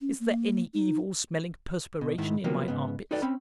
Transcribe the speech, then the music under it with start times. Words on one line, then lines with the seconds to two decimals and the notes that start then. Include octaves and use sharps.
Is there any evil smelling perspiration in my armpits?
0.01 C#4
0.20 A#3
0.74 D#4
2.01 B2
2.18 G#2 D#3 E4
2.44 C3 F3 F#3 A#3 B3
2.68 G#2 C#3 B3
3.11 D#4 F#4 A4 B4 D5 G5
3.22 C4 C#4 B5